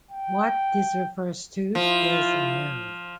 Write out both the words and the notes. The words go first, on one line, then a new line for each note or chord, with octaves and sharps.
What this refers to is unknown.
G5
F3 E4 F4